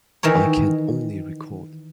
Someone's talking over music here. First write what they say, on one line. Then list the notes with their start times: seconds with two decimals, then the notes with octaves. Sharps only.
I can only record.
0.23 D#3 E3 A#4 C#5